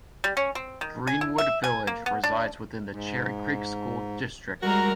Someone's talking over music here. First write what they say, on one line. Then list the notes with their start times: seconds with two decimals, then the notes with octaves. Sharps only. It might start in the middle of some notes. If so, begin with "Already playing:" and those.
Greenwood Village resides within the Cherry Creek School District.
0.24 G3
0.37 C#4
0.55 C4
0.81 D#3
1.07 G#5
1.21 E4
1.38 E5
1.64 G#5
1.87 A#3
2.06 B3
2.24 D4
2.91 G#2
4.63 G3 G#3 F#4 A#4 A#5